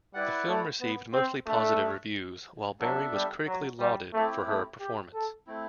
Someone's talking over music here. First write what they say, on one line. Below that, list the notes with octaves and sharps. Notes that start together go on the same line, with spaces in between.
The film received mostly positive reviews while Berry was critically lauded for her performance.
G3 E4 B4 D5 F#5
A3
B3
C4
A3 D4 A4 E5
F#3 B3 D4 A4 E5
G3
F#3
G3
A3 C4 E4 G4
A3
G4
A4
A3 C4 E4